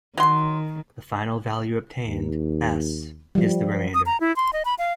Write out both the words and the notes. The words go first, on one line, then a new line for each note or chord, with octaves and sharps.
The final value obtained, "s", is the remainder.
D#3 F#3 C6
D#2
F3 G3
D#6
A#5
E4
C6
D#5
B5
F5